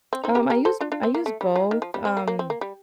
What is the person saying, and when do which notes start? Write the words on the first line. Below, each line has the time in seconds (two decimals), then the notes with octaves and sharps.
Um, I use b I use both, um,
0.13 C4
0.24 C4 D#4
0.35 G4 A#4
0.50 G4 A#4
0.65 A4 C5
0.80 D4 F4
0.92 D4 F4
1.03 C4
1.14 A#3
1.26 A3
1.41 G3
1.56 F3
1.71 D#3
1.82 F3
1.94 G3
2.05 C4
2.17 A#3
2.28 A#3
2.39 C4
2.50 A#3
2.61 G3